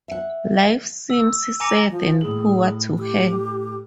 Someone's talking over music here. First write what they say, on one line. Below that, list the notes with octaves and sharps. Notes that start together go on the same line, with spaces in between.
Life seems sad and poor to her.
E5 F#5
E6
G#5 A#5 D6 A#6 C#7 F7
F3
A2 G#4 F#7
G4